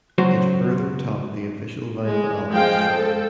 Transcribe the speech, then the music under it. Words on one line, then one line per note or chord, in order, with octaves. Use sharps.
It further topped the Official Vinyl Albums Chart.
C#2 F#2 F#3 F#4 C5
G#3
F3 G#3 F5 G5
A4